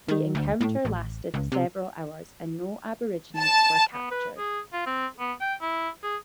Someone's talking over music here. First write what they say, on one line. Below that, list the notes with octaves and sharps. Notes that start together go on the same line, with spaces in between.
The encounter lasted several hours, and no Aborigines were captured.
D#3
D2
A2
A1
C#2
C3
A5
B3
B4
G#4
F4
C4
B3
G5
E4
G#4